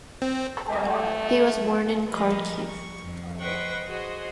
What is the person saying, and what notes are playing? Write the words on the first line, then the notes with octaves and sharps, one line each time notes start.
He was born in Kharkiv.
C4
A3
F3 G3 G#4 A#4 B4 D#5
C#6
F2
B4 C5 D#5 F#5 G5 C#6
F#4 G#4 C5 D#5